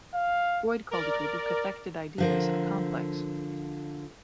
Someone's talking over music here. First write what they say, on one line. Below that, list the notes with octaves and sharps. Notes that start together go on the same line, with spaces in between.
Freud called a group of cathected ideas a complex.
F5
A#4 D5
D3 F3 A#4